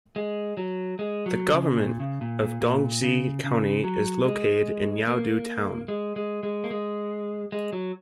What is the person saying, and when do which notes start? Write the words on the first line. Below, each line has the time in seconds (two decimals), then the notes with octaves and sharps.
The government of Dongzhi County is located in Yaodu Town.
0.16 G#3
0.57 F#3
0.99 G#3
1.26 F#3
1.53 C#3
1.80 A#2
2.00 C#3
2.21 A#2
2.41 A#2
2.61 A#2
3.02 C#3
3.44 C#3
3.84 F#3
4.25 G#3
5.08 A#3
5.88 G#3
6.16 G#3
6.43 G#3
6.64 A#3
6.71 G#3
7.52 G#3
7.73 F#3